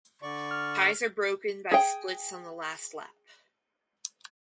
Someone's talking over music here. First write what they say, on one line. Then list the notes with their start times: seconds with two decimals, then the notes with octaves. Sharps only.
Ties are broken by splits on the last lap.
0.22 D3 D5 C#6
0.51 F6
1.71 G#4 G5